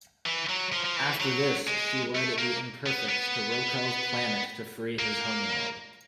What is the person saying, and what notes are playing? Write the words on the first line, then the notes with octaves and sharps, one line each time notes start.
After this she led the Imperfects to Roekel's Planet to free his homeworld.
E3
F#3
F3
F3
E3
F#3
G#3
A3
A#3
B3
B3
A#3